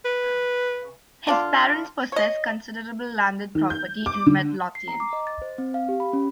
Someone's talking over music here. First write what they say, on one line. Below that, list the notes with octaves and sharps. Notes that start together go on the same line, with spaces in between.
His parents possessed considerable landed property in Midlothian.
B4
D3 D4 F4
C#5 D#5
D#3
G6
D6
D3
C7
A#5
D6
D#5
A6
C5
C4
F5
G4
B5
C#4